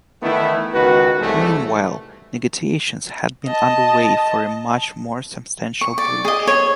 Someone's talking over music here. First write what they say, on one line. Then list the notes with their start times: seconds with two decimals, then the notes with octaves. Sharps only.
Meanwhile, negotiations had been underway for a much more substantial bridge.
0.22 D#3 E3 A3 B3 E4
0.73 C#2 D#3 F#4 B4
1.19 C2 G#2 E3 G#3 A3
3.45 D#5 A5
5.81 C#6
5.98 D5
6.25 G#4 D#5
6.47 C#5